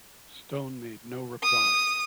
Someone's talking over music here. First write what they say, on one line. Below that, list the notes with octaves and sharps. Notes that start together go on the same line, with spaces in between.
Stone made no reply.
D#6